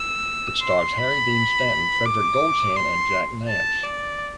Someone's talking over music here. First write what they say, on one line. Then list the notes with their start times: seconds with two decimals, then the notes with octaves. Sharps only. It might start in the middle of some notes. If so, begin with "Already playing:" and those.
It stars Harry Dean Stanton, Frederic Golchan and Jack Nance.
Already playing: E6
0.62 C6
0.98 B5
2.05 D6
2.76 C6
3.48 A5
3.84 D5